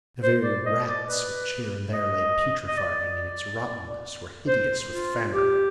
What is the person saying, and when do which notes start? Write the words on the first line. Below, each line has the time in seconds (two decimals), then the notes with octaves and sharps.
The very rats, which here and there lay putrefying in its rottenness, were hideous with famine.
0.23 C5
0.44 D5
0.65 D#5
0.87 D5
1.08 B4
1.93 D#5
2.68 D#5
2.77 D5
4.48 C5
4.89 F4
5.32 G4